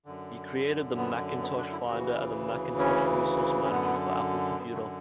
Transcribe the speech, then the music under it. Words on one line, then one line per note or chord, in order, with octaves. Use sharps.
He created the Macintosh Finder and the Macintosh Resource Manager for Apple Computer.
F#2 D3
B3
B3
D4
E4
D2 C#3 E3 F#4
C#4
C#4
F#2 D3 B3
B3
A3